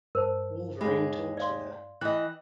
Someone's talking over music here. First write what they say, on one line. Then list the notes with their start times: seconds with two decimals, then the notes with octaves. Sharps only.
Wolverine talks with her.
0.15 G2 A#4 C5 A5
0.81 D#2 G#3 B5
1.37 D5 F5 C6
2.01 E3 D#5 G5 B5 F#6